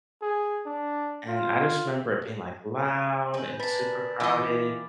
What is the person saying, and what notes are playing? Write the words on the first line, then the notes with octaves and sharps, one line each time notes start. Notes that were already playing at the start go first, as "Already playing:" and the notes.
and I just remember it being, like, loud and super crowded,
G#4
D4
F4
C4 D#4 B4 G#5
D4 A#4 B4 B5 A6 B6
E3 E4 F4 D#5 G5 D6